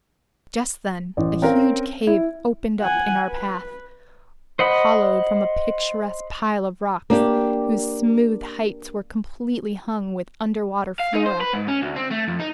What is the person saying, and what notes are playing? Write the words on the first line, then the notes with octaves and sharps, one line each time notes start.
Just then a huge cave opened up in our path, hollowed from a picturesque pile of rocks whose smooth heights were completely hung with underwater flora.
A1
C4 C#4 A#4 F5
E4
F#5 G#5
B4
C5 D#5 F#5 B5
A#3 D4 G4
F5
D#4
C5
B4
G#2
C#4
D2
C4
A3
F2
D#4